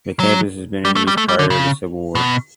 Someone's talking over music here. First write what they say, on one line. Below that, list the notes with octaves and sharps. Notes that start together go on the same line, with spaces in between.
The campus has been in use prior to the Civil War.
F#3
G3
A3
G3
A3
G3
D3
C#3
B2